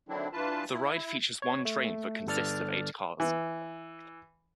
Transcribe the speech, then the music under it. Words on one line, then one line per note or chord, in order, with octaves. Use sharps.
The ride features one train that consists of eight cars.
D3 D#3 F#3 C4 D4 E4
G2 E3 F4 B4 A5
E4
C#5
A3
G1 G2 A4 D5 F6 A6
E3